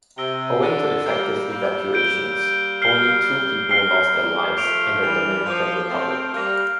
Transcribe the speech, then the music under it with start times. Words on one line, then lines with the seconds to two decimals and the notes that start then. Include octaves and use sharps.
Owing to effective evacuations, only two people lost their lives in the Dominican Republic.
0.18 C3 E6 A#6 D7 G7
0.62 D3
1.06 G3 A#3 G6 D7 G7
1.49 G3 A#3
1.94 G6 D7 G7
2.82 F6 C7 G7
3.70 A3 C4 F6 C7 G7
4.13 G3 A#3
4.57 F3 A3 D6 G6 D7 F7
5.02 E3 G3
5.45 F3 D6 G6 D7 F7
5.89 A3 C4
6.33 G3 A#3 D6 F6 A#6 F7